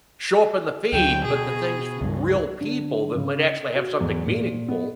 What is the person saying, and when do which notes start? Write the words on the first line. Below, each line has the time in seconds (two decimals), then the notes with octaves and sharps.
show up in the feed, but the things from real people that might actually have something meaningful,
0.93 D2 D3 F#3 G5
1.25 B2 G#4
2.01 C#2 G2
2.61 D3
3.16 C#3
3.43 C#7
3.75 F#4
4.00 E2
4.26 A#2
4.68 B3